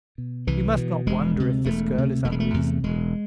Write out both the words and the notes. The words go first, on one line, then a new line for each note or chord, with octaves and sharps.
You must not wonder if this girl is unreasonable.
B2
C2 E3
B2
E1 G#3
D2 C3
E1 A3
D2 C3
E1 A3
G#3
A3
E2 C3
E1 G#3